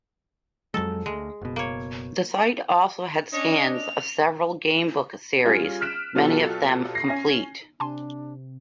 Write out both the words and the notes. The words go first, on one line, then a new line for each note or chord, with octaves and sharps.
The site also had scans of several gamebook series, many of them complete.
F2 F#3 G#3 A4
D2 G#3
F#1 B2
A#3 C#5
C#4 D4 C#5 D#5
F7
G3 C#4 F4 G#4
F6 F#6 B6 D7 E7
B2 F#3 B3 F4 G4 A4
A#6 C7
C#4 G#5 A#6
C3 D4 G#5 A5 C6